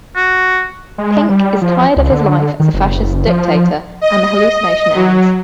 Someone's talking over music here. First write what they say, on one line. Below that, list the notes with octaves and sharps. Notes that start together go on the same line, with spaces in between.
Pink is tired of his life as a fascist dictator and the hallucination ends.
F#4
G#3
G3
F3
C#2
D3
D#3
F#1
F3
D#5
F#3